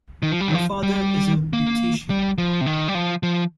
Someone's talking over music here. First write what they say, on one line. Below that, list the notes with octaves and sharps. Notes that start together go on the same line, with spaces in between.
Her father is a beautician.
D#3
F3
G3
D#3
F3
G3
A#3
G3
F3
C3
D#3
G3
F3
F3